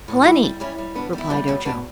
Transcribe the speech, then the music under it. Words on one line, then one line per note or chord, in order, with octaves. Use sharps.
"Plenty," replied Ojo.
A2
F#4
G3 E4 G4
G3
G3 C#4 E4
G3
B2 B3 D4
G3
E4
G3 B3 D4
B2 A3 C#4
B2 B3 D4